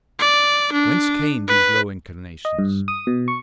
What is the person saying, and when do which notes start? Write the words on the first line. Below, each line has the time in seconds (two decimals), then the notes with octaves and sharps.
Whence came these low inclinations?
0.19 D5
0.73 D4
1.48 B4
2.45 D#5
2.59 G2
2.88 D#6
3.07 B2
3.28 C#6